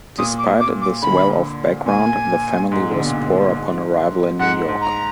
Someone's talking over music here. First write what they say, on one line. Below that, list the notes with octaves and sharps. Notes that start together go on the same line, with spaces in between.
Despite this well-off background, the family was poor upon arrival in New York.
A#2 D#6
D6
D6
D6
D3 B5
A#2 G#5
G#2
D3
B2
A#2
G#2
G#2
G#2 F#5
G#2
A#5